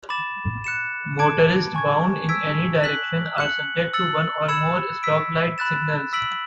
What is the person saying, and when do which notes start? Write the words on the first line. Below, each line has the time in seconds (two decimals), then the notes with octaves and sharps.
Motorists bound in any direction are subject to one or more stoplight signals.
0.09 B5 D6 A6 E7
0.64 F#6 C#7 E7
1.19 A5 D6 G#6 D7
1.75 G#5 C#6 G#6
2.29 E6 G#6 B6 D7
2.84 F#6 B6 F#7
3.38 F#6 C#7 F#7
3.94 E6 A6 C#7 F#7
4.48 B5 E6 G#6 C#7 E7
5.03 E6 B6 D7
5.58 B5 F#6 A6 E7
6.13 E6 B6 D7 F#7